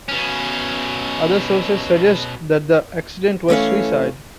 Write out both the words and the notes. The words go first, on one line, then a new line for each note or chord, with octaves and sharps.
Other sources suggest that the accident was suicide.
B2 C#4
E3 A3 C#4 F5